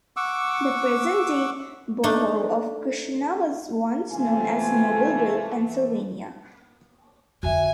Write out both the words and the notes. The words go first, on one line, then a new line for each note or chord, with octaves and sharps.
The present-day borough of Christiana was once known as Nobleville, Pennsylvania.
F#5 C#6 D6 E6
A3 D4 D#4
C3 E3 A3 F4 G#5
F2 D3 F#4 E5 G#5